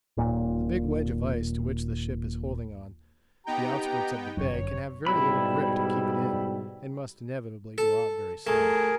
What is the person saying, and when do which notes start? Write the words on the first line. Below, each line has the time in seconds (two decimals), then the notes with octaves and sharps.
The big wedge of ice to which the ship is holding on the outskirts of the Bay can have very little grip to keep it in and must inevitably go out very soon.
0.17 D#1 A#2
3.47 B3 D#4 G4 G5 A#5
4.37 G1 F#2 C#5
5.07 G#2 B2 G3 E4 B5
7.78 A4
8.47 A3 G#4 A#4